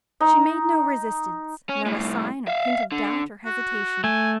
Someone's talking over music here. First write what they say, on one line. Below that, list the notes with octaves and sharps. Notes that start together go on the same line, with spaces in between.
She made no resistance, not a sign or hint of doubt or hesitation.
D#4
C#4
C2 A2
E5 F5
D3
F#4
A3 G#5